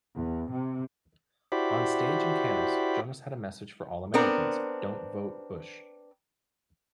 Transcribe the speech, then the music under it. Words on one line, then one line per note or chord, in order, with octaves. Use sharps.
On stage in Cannes, Jonas had a message for all Americans: "Don't vote Bush".
E2
C3
E4 F#4 G4 C5 D5 B5
B3 C4 D4 A#4